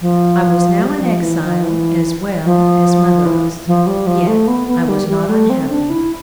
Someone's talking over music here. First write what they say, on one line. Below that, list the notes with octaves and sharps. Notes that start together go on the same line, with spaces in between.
I was now an exile as well as motherless; yet I was not unhappy.
F3
G3
F3
E3
F3
E3
F3
E3
F3
G3
F3
A3
B3
B3
G3
G3
A3
C4
D4
E4